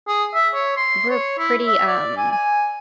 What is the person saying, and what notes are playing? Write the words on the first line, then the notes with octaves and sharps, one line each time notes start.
we're pretty, um
G#4
E5
C#5
C6
C#5
E4
E5
D5
G#5
G#5